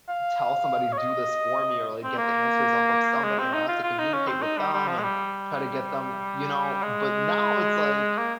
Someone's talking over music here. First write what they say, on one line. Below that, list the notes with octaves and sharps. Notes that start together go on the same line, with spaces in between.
tell somebody to do this for me, or, like, get the answers off of somebody, and I have to communicate with them, and try to get them" you know, but now, it's like,
F5
C#5
D#5
C4
A#3
G#3
C4
D#4
F4
F4
D#4
C#4
C4
D#4
G3
G3
F3
G#3
G3
G#3
A#3